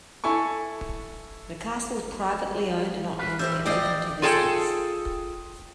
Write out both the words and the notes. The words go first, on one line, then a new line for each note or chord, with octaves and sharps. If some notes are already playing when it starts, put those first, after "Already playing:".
The Castle is privately owned and not normally open to visitors.
E4 A4 G#5 C#6
B4 F5
G3 A#4 C5 E5
D#3 E4 D5 D#5 F5 G5
F4 G#4 A4 G5